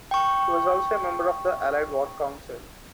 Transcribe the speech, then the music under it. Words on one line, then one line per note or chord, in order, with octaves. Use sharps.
He was also a member of the Allied War Council.
G5 C#6